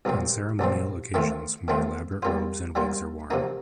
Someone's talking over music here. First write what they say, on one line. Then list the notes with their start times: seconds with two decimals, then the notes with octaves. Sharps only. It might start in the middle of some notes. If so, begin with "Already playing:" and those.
On ceremonial occasions more elaborate robes and wigs are worn.
0.05 C2 A#2 F3 C4
0.59 C2 A#2 F3 C4
1.14 D#3 A3 C4 F4
1.68 D#3 A3 C4 F4
2.22 G3 A#3 F4 C5
2.75 G3 A#3 F4 C5
3.30 C3 F3 A#3 D#4